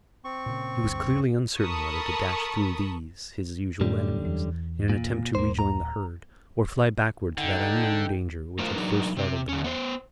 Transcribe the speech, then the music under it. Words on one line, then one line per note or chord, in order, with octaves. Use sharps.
He was clearly uncertain whether to dash through these his usual enemies, in an attempt to rejoin the herd, or fly backward to that unknown danger which had first startled them all.
C4 C#6
A#2 C#3
G1 D2 G2
A4 A#4 A5 B5 C#6 D#6
F#2 A2 D3 G3
E2
A#2
D#1 D#2 A#3 C5
A#5
D3 D#4 A4 G5
A3 F4 A#4 C5 F5
F#3 D4 D#4 A#4 B4
C3 C4
D3 C#4
B3 C5